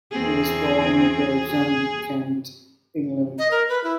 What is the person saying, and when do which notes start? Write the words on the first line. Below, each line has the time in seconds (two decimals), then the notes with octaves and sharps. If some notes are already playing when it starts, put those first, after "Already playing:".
He was born in Gravesend, Kent, England.
0.12 E2 C4 G#4
1.51 G#4
3.38 D#5
3.51 A#4
3.69 B4
3.84 E4